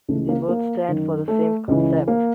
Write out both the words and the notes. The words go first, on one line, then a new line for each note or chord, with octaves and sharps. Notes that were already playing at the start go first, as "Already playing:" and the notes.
They both stand for the same concept.
C#2 C#3 E3 A3
A#3
A#3
F#2 D#3
A3
C#2 C#3 E3
A#3